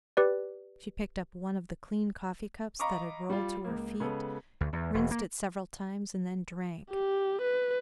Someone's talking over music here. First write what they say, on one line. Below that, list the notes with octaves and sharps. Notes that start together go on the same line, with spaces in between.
She picked up one of the clean coffee-cups that had rolled to her feet, rinsed it several times, and then drank.
G4 B4 D5
D#5 F5 A#5 B5 C#6 D6
G3 F4
C#2 A#3
C#3 G#3 B3 A4
D2
E2
E1
A#3
G4
B4